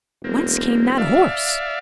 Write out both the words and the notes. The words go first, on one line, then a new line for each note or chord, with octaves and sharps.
Whence came that horse?
E1 A#3 C4
D5 E5 F5